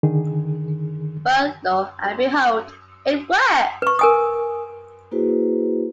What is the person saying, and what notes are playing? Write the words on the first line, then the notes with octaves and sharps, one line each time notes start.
But, lo and behold, it worked!
D3 D#3 G#4
B4 C#6
A#4 G#5 D#6
A#3 E4 F#4 G#4 B4 C5